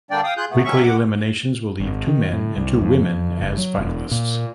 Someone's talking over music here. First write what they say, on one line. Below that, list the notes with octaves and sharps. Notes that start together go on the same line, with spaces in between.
Weekly eliminations will leave two men and two women as finalists.
D3 G3 A#3 D4 D5 G5
F5 G5 D#6
F4 G#4 F#6 G6
C3 A3 B3
B2 D#3 F#3 C#4 E5 C#6
F#5 D6
G#1
D#3
A2
C2
F2
F#1
F#3
E1
A#2